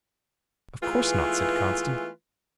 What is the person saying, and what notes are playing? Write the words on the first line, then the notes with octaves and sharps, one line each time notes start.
"Of course not," said Constance.
E3 G#3 A3 B3 F4 B4